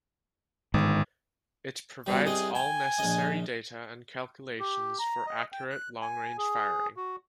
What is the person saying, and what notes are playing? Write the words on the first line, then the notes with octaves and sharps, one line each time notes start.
It provides all necessary data and calculations for accurate long range firing.
G1 G#2 D#3
B2 D#3 G3
C2 C3 G#4 D#5
G5 G#5
A#1 D#5
G4
A#5
D#5
G5
F#6
G#5
G#4
F#4